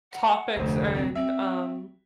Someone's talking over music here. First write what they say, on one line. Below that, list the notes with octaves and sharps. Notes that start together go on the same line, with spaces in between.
topics and um
F#5
F1 D2 C5
C4
C4 E5